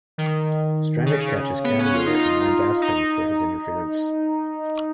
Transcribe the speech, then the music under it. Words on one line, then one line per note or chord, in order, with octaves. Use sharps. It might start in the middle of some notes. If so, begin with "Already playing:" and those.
Strannik catches Kammerer and lambastes him for his interference.
D#3
C#3
C#3
B3
C#4
F4
D#4
F4
D#4